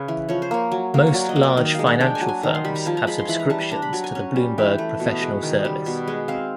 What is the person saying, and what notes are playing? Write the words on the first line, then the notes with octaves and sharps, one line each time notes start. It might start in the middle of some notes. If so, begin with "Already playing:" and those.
Most large financial firms have subscriptions to the Bloomberg Professional service.
Already playing: C#3 B4
E3
F3 C#5
C5
A#3 C#5
F#3
A#3
C#5
F#3 D5
D#5
A#3
D5
D#3 D#5
G#3 F5
F#5
D4 G5
G#5
F#3
G#5
D#3 A#5
C6
G3 B5
A#5
F3 A5
A#5
G#3 B5
C6
E3 B5
A#5
G3 A5
A5
D4 A#5
B5
F#3 A#5
G#5
C#4
G3
E3 G5
A3
B2
G#3
D#3
G3
B2
G#3
C4 F5